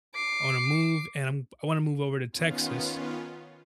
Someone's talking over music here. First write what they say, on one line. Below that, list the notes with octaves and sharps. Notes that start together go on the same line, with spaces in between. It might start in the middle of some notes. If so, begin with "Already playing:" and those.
I wanna move and I'm I wanna move over to Texas,
D6 C7
D#3 B3 C#4 F4